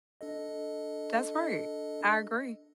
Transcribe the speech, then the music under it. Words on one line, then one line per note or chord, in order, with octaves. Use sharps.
That's right. I agree.
D4 A4 D#5